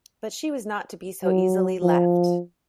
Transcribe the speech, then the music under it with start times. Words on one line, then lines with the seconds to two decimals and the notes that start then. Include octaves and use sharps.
But she was not to be so easily left.
1.24 F#3
1.82 F3